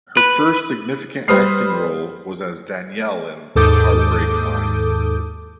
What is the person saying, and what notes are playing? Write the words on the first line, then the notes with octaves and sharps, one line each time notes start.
Her first significant acting role was as Danielle in "Heartbreak High".
B4
G3 B4 C5 D#6 F6 C7
D#2 G#2 A4 D6 D#6 G6